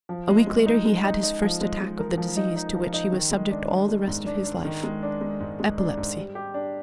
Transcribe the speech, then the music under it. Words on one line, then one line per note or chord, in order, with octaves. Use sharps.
A week later he had his first attack of the disease to which he was subject all the rest of his life--epilepsy.
F3
G#3
G#3
D#4
G#3
D#4
D#4
F3
G#3
G#3
A#4
F3
D#4
D#4
F3
D#4
D#3
G#3
D4
D4
G#3
G#2
D4
D4
D#3
G#3
D4
G#3
G#2
G#3
D4
G#2
G3
G4
D4